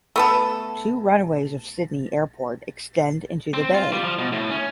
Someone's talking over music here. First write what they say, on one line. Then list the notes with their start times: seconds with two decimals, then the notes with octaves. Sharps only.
Two runways of Sydney Airport extend into the bay.
0.16 A3 B3 A4
3.54 C4
3.74 F4
3.93 G3
4.04 F3
4.19 B2
4.32 A2
4.50 C#4